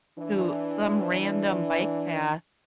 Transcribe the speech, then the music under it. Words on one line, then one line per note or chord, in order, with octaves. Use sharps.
to some random bike path,
E3 D4